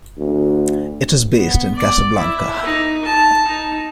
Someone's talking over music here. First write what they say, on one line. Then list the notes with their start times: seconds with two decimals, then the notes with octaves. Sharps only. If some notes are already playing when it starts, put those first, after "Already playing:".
It is based in Casablanca.
0.18 D2
1.36 B3
1.74 D5
2.18 E4
2.63 D#4
3.05 A5
3.48 D#4